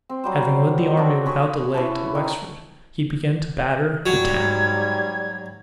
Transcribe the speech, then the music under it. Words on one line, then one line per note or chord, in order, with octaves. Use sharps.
Having led the army without delay to Wexford, he began to batter the town.
C4
F#3 G3 C5
D4 F#4 A4
G#4 B5 C#6
E3 C#4 B4 A5
D#3
G#2 F#3 G3 G#6